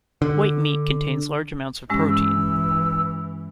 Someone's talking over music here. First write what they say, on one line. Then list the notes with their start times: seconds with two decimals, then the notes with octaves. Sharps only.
White meat contains large amounts of protein.
0.22 D3
1.90 G2 E3 G#3 C#4 E6